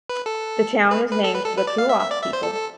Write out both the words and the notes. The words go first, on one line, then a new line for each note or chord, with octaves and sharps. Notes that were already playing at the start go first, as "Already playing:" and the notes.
The town was named for the Kiowa people.
B4
A4
B4
B4
A4
B4
A4
B4
D5
F5
E5
E5
D5
E5
C5
A4
A4